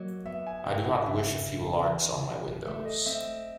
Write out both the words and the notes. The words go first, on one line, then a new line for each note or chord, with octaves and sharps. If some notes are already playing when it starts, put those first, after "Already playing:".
I do not wish a few larks on my windows.
Already playing: F#3 A#3 D#5
B3 E5
G#5
D#4 G5
F#5
C#3 E5
C#3
E2
E2
A3 E5
D#5
C4 E5